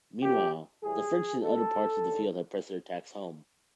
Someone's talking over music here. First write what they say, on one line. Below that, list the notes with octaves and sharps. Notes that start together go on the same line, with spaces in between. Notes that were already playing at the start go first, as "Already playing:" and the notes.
Meanwhile, the French in other parts of the field had pressed their attacks home.
F2 C3 F3 A#3 G4
A2 E3 G3 G#4
B2 G3 A#3 A4
D#2 D3